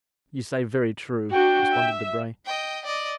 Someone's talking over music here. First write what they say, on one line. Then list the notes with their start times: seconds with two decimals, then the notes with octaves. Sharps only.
"You say very true," responded Debray.
1.32 D4 F#4 G5
1.75 E5
2.46 D#5 G5
2.85 D5 D#5